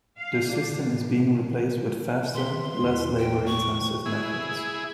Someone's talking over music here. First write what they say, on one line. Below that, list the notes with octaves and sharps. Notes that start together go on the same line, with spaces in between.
This system is being replaced with faster, less labor-intensive methods.
F5
D4
A2
B2 B4 C6 B6
E2 E4 C5
G5
C#6
E4 G#4